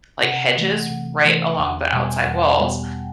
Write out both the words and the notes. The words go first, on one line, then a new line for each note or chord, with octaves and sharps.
like, hedges right along the outside walls,
C3 F#5
E3 A3
C3
E3 A3
E2 F#5
G5
B2 G3 A5
G#5
E2 F#5
B2 G3